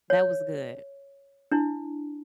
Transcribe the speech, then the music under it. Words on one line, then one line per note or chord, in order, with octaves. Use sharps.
That was good.
C#5
D4 E4